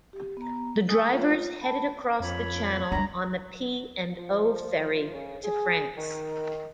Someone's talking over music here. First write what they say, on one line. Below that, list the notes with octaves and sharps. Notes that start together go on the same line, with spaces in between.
The drivers headed across the Channel on the P and O Ferry to France.
G4
B3 A#5
A3 G#5 D#6
F4 C#5
A5 B5
F2 C#5 B5
E2 G3 D4 A#5
F3
C#3
G#4
D#3